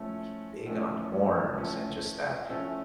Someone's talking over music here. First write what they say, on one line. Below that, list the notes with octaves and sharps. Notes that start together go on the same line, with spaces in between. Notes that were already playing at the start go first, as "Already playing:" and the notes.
he big on horns and just that
Already playing: A2 F3 A3 C#4
A2 F3 A3 C#4
A2 F3 A3 C#4
A2 F3 A3 C#4